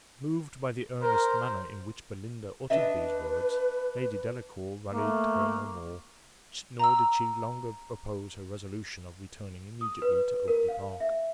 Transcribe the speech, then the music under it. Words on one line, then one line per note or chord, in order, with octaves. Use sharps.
Moved by the earnest manner in which Belinda uttered these words, Lady Delacour rallied her no more, nor did she longer oppose her resolution of returning immediately to Oakly-park.
A#4 C5
D4 B4 D#5 E5
A3 A#3
A#5 E6
D#6
B4
A#4
F5
E5